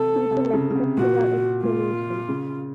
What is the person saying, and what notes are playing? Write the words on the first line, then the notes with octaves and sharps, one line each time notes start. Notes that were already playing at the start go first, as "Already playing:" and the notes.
People accepted our explanations.
Already playing: C3 A4
C3
C#3
C#3
C3
A#2 F#4
A#2 F4
C#3